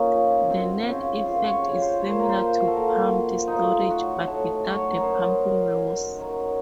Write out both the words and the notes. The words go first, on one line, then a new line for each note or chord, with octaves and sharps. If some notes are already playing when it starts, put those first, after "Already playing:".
The net effect is similar to pumped storage, but without the pumping loss.
Already playing: A#2 C#4 D#4
F3
F#2 C4
C4
C#3 F3 C#4
F#2 F4
C#5
C#3 F3 C#5
C5
A#2 C#5
C5
A#4
C5
F3
F#4
A4
A#2 A#4
F3
A2 D#4 F4
F#3 F#4
A2 A4
F#3 C#5
A#4
F#2 C5
D#3 F#3
F#2
D#3 F#3